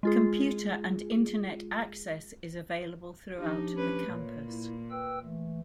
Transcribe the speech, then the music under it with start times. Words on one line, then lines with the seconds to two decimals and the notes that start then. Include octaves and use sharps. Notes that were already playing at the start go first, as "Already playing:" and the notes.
Computer and internet access is available throughout the campus.
0.03 G#3 F4 G#4
3.39 F3 D4 D#4 G4
3.76 C#4 B4
4.07 A#2 C#5
4.47 E4
4.91 B4 G5 E6
5.23 E3 A3